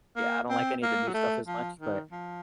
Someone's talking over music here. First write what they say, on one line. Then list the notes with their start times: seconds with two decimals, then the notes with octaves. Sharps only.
Yeah, I don't like any of the new stuff as much, but,
0.16 A#3
0.50 C4
0.82 A#3
1.08 F#3
1.14 A3
1.47 F3
1.79 D#3
2.12 F3